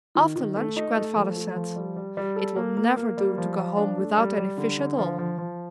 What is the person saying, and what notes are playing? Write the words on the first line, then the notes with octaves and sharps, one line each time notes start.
After lunch Grandfather said, "It will never do to go home without any fish at all."
D#3
D#3
A3
D#4
A3
F3
A3
F3
G3
G3
G3
A4
A#3
A#3
A#3
G3
F3
F3
D4
A3
G3
G3
D3
D3
F3
F3
F3